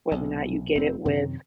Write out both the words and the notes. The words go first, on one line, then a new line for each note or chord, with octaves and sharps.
whether or not you get it with
B1 C3
F1 C3 C4
F#2 C3 D#3